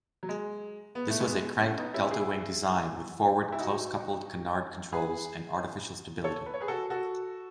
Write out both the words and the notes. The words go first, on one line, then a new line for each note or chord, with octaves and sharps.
This was a cranked delta wing design with forward close-coupled-canard controls and artificial stability.
F#3
G#3
B3
A3
G#3 B3
A3 C#4
B3 D#4
C#4 E4
E4 G#4
E4
D#4 F#4
G#4 B4
A4 C#5
B4
C#5
G#4 B4
F#4 A4
F#4 A4